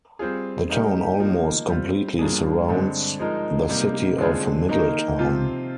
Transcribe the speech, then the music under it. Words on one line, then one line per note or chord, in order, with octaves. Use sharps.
The town almost completely surrounds the city of Middletown.
G3 C4 F4 G#4
G3 A#3 D#4 G4 A#4
F3 A#3 D#4
G3 C4 F4
G2 F3 A#3 D4 G#4
G2 D3 G#3 C4
F3 G#3 D#4 A#4
C3 G3 A#3 D#4
D3 G#3 C4 F4 G#4
D#3 A#3 D#4 A#4
C3 F3 C4 F4